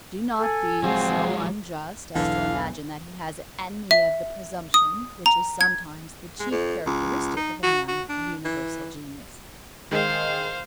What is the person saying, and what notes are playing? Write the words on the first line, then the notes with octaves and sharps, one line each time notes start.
Do not be so unjust as to imagine that he has any of the presumption which is sometimes the chief characteristic of a man of universal genius.
A4 G#5
F3 F#3 G#3 C4 G#4 F5 F#5
B1 E2 D3 E3 F5
E5
D#6
A#5
G#6
G#3
F2
C#2
D#4
F#4
F#4
D4
E3
D#3 G#3 C5 F5